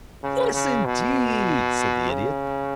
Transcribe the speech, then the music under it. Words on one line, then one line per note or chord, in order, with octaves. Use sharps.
"Yes, indeed," said the Idiot.
C#3
C#3
B2
C#3